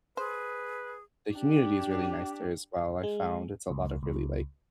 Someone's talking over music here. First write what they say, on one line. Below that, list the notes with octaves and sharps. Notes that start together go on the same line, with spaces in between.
the community is really nice there as well. I've found it's a lot of really, like,
G#4 B4 C5
D4 G4
G#3
C#2
C#2